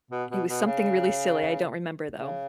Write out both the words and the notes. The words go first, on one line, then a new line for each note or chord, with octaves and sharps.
It was something really silly, I don't remember, though.
B2
B2
B2
C#3
C#3